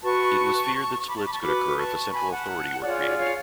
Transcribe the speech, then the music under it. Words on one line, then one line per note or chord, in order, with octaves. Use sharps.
It was feared that splits could occur if a central authority were created.
F#4 B4 A5 C#6
B5 D6
A5 C#6
B5 D6
A5 C#6
F#4 B4 B5 D6
A5 C#6
G#5 B5
F#5 A5
F4 G#4 C#5 D5 F#5
D5
C#5 F5